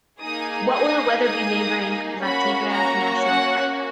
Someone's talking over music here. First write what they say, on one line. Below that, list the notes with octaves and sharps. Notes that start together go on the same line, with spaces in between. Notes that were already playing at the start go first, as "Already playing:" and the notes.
What will the weather be neighboring La Tigra National Park?
A#3 D#4 G#4 D#6
D#6
D#6
A#3 C#4 F#4 B5
A#5
F#5